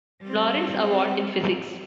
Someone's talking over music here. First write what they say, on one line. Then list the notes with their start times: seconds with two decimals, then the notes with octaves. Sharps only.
Lawrence Award in physics.
0.21 G3 C4